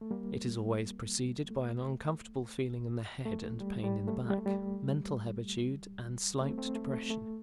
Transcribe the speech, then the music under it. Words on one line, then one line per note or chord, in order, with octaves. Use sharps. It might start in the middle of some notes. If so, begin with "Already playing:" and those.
It is always preceded by an uncomfortable feeling in the head, and pain in the back, mental hebetude, and slight depression.
A3
G3 A#3
A3
A3
G3
G3
A3
G3
A3
G3
A3 C4
A3 C4
A3
A3
A3